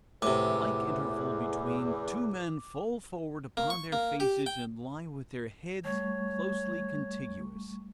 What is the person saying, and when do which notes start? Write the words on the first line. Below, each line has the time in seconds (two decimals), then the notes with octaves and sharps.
With a like interval between, two men fall forward upon their faces; and lie with their heads closely contiguous!
0.22 E2 A2 C3 D6
3.57 A#3
3.70 C#6
3.92 A#3
4.20 G4
4.46 G5
5.84 G3 A3 C#5 C#6